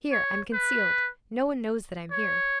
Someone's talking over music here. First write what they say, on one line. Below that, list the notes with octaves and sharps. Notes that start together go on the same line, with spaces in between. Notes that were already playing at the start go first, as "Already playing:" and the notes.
Here I'm concealed, no one knows that I'm here.
C#5
B4
C#5